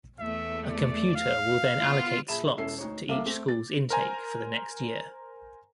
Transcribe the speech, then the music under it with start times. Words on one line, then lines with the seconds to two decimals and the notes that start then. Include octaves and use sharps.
A computer will then allocate slots to each school's intake for the next year.
0.20 E2 A3 E5
0.69 D5
1.16 F5
1.83 B3 F4
2.28 A#1 G#4 E5 A5 B5 E7
2.57 E1 C#4 E4 A4 C7
2.78 D2 D#4 C#5
3.08 C2 A#3 A4 E5 F5 D6
3.26 A3 C4
3.48 A6
3.90 A#4 C5 G#5 A#5